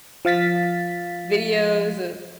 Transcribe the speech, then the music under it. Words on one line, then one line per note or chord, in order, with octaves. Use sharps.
videos of
F3 F5 A6 B6